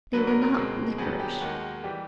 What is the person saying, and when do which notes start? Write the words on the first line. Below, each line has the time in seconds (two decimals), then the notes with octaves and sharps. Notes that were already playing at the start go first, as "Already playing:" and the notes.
They were not liquorice.
0.13 D2 D3 F#3 B4
0.27 A#4
0.42 A#4
0.56 B2 G#3 C4
0.98 G2 D#3 F#3 B3 G#4
1.20 G4
1.41 D#2 D#3 G#3 F#4
1.84 E3 G3 G4